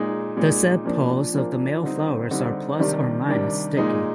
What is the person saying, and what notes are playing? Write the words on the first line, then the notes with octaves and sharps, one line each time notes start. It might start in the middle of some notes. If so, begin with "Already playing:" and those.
The sepals of the male flowers are plus or minus sticky.
Already playing: A#2 G#3 D#4
A#2 G#3 D#4
A#2 F3 A#3 D4
A#2 F3 A#3 D4
D3 G3 C4 D#4
D3 G3 C4 D#4
C3 D#3 G3 D4
C3 D#3 G3 D4
A#2 G#3 D#4